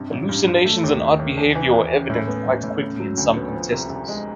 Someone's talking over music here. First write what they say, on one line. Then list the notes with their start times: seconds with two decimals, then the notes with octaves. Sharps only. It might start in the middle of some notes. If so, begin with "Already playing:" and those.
Hallucinations and odd behaviour were evident quite quickly in some contestants.
Already playing: G2 C3
0.11 A1
0.29 G2
0.47 G2
0.66 A3
0.83 D#2
1.01 D#2
1.19 D#2
1.37 E2
1.55 E3
1.73 E2
1.91 C#3
2.10 A2
2.28 B3
2.46 A2
2.64 A2
2.81 C#3
3.00 F#3
3.17 D2
3.36 B3
3.54 F3
3.72 C2
3.90 C2
4.08 G#3